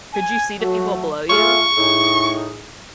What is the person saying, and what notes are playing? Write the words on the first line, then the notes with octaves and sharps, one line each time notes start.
Could you see the people below you?
G#5
F#3 A3 F#4
A3 F4 G#4 C#6
A2 D#4 G#4